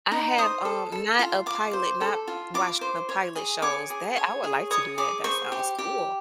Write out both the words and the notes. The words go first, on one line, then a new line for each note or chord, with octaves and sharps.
I have, um, not a pilot, not watched the pilot shows that I would like to do that. That sounds cool.
D#4
C5 D#6
A4
A4
F4
F4 D6
C5
A4
F4
F4 D6
C5
C#5
G#4
C#5 D6
G#4
C#5
G#4
C#5 D#6
G#4 D6
C5 C#6
G4
G4